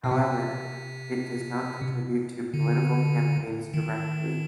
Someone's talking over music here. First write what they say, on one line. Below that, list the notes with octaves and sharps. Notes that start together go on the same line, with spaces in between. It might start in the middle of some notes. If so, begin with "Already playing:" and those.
However, it does not contribute to political campaigns directly.
B2
C3
D3
D#3